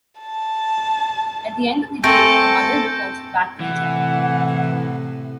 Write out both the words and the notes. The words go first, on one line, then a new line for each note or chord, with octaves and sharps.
At the end of the date the mother reports back to the child.
A5
A3 C4 A4 G#5 G6 A#6 D7
A2 C3 E3 F#5